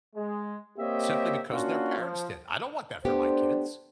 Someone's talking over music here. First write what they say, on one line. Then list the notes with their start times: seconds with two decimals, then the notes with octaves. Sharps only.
simply because their parents did? I don't want that for my kids.
0.16 G#3
0.79 A#3 C4 G4 C#5 D#5 E5
1.51 A#3 C#4 D4 F4 F#4
1.98 F3
3.05 A3 B3 D4 G4 C5